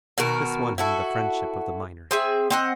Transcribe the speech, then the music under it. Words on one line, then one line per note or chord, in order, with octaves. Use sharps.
This won him the friendship of the miners.
B2 D#3 F#4 A#4
E4 F#4 A4
C4 G#4 E5
C4 D#5 F#5